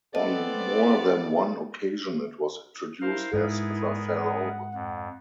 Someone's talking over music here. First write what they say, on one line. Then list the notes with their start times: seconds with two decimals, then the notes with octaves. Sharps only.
On more than one occasion it was introduced as "If I Fell Over".
0.15 B3 C4 A4 D5 D#5 F#5 A5
3.01 E4 A#4 C5 F5
3.33 G#2 B3 E4 G#4 A#4
4.16 F#5
4.74 F2